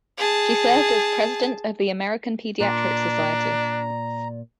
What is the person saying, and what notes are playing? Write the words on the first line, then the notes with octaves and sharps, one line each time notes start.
She served as president of the American Pediatric Society.
G#4 A5
A#2 D4 D5 A#5